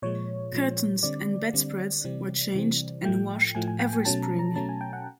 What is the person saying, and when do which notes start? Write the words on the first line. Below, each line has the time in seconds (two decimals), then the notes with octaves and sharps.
Curtains and bedspreads were changed and washed every spring.
0.02 A#2 F3 G#3 C#5
0.53 A#2 F3 G#3
1.03 D3 G3 C4 D5
1.53 D3 G3 C4
2.04 C3 E3 G3 C4
2.55 C3 E3 G3 C4
3.04 A2 F3 A3 G5
3.55 A2 F3 A3 G#5
3.68 G#5
3.80 G5
3.93 G#5
4.05 B2 F#3 A3 C#4 A5
4.23 A#5
4.39 A#5
4.56 B2 F#3 A3 C#4 A5
4.69 G#5
4.81 G5
4.93 F#5